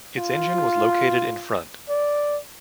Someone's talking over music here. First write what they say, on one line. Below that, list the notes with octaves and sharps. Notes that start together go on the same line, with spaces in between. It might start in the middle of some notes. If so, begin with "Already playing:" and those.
Its engine was located in front.
F4
D5